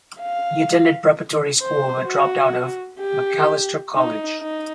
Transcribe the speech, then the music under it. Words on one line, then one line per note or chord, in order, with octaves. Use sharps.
He attended preparatory school but dropped out of Macalester College.
F5
C5
F#4
G4
D#4
D#4